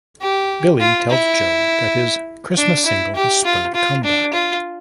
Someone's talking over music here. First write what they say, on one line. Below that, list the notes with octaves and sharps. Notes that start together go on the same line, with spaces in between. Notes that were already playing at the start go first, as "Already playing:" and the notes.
Billy tells Joe that his Christmas single has spurred a comeback.
G4
F4
E4
D4
E4
G4
F4
F4
D4
F4